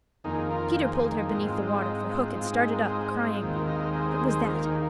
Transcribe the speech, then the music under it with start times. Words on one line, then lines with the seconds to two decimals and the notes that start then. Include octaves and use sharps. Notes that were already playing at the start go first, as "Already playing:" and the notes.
Peter pulled her beneath the water, for Hook had started up, crying, "What was that?"
0.24 F2 D#3 A#3 D#4 G#4
0.51 F4 A#4
0.77 G#4 C5
0.94 G#4 C5
1.12 D#4 G#4
1.30 G#2 G#3 C4 F4 A#4
1.47 F4
1.65 F4
1.82 D#4
1.99 D#4
2.09 F4
2.35 G#2 G#3 C4 F4
2.53 D#4 G#4
2.70 F4 A#4
2.88 G#4 C5
2.95 D#5
3.01 G#4 C5
3.27 F4
3.40 D#2 D#3 G#3 C4 F4
3.54 F4 A#4
3.67 A#4 D#5
3.76 F5
3.80 A#4 D#5
3.93 G#4 C5
4.11 G#4 C5
4.29 G#4 C5
4.46 D#2 D#3 A#3 F4 A#4
4.63 D#4 G#4